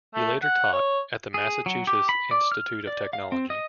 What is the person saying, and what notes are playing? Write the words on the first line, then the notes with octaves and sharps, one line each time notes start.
He later taught at the Massachusetts Institute of Technology.
A3
F#5
C#5
G#4
F#3
G4
B5
D5
F6
D5
F5
C4
D#5